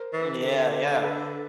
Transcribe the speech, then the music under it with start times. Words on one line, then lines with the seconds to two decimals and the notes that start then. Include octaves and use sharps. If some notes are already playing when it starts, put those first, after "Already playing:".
Mm, yeah, yeah.
Already playing: A#4 C5
0.13 E3
0.43 D3
1.04 A4 B4